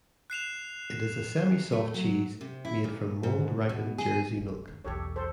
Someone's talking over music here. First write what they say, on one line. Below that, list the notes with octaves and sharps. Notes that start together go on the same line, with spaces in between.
It is a semi-soft cheese, made from mould-ripened Jersey milk.
F#6 C7 E7 F7
A3
F#3
C3
E4
A#2
G#2
B2
G#4
D1 A1
G1 D#2
B1 E2 G4 A4 C#5
A4 C5